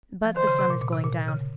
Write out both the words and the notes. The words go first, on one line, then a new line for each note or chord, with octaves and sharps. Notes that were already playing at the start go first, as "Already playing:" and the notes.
But the sun is going down.
F3
D#3 C5
C#3
C3
A#2
A#2
C3
A#2
C#3